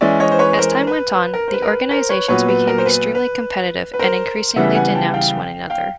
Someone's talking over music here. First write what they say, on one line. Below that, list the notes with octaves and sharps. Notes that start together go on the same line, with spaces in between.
As time went on, the organizations became extremely competitive and increasingly denounced one another.
E3 G#3 C#4 D5 E5
C#5 D#5
C5
B4 C#5
B4
A#4 C5
B4
B4
A#4
C5
B4
A#4
B4
A#4 C5
B4 C#5
A#2 F#3 B3 B4 C#5
B4
A#4
C5
B4
B4
B4
A#4 C5
C#3 E3 G3 B3 E5 F#5
F#5 G#5
G5 A5
F5 G5
F5 G5